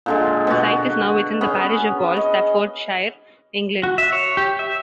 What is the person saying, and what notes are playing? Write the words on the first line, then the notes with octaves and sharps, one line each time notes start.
The site is now within the parish of Wall, Staffordshire, England.
A#2 D3 G#3
B2 F#4
B3 C#4 G#4
D#5
F#4
E5
C#5
G4
E5